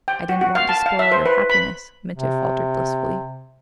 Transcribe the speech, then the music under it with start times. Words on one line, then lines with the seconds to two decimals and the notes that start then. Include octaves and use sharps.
"I didn't want to spoil your happiness!" Mitya faltered blissfully.
0.08 G5
0.29 F#4
0.41 F#4
0.55 F5
0.69 A5
0.86 F5
0.99 E5
1.12 C5
1.26 B4
1.50 B5
2.14 C3